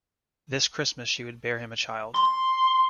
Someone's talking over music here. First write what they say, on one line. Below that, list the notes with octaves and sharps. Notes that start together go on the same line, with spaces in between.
This Christmas she would bear him a child.
C6